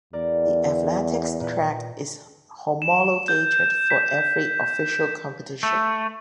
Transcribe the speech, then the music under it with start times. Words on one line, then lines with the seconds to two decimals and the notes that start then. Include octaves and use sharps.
The athletics track is homologated for every official competition.
0.13 E2 A#4 D5
1.40 A#2 B4
2.82 E7
3.28 G6
3.90 B6
5.63 A3